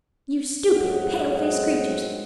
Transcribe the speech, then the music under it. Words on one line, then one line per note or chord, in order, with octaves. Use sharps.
You stupid, pale-faced creatures!
F#2 A2 G#3 C4 D#5 F#5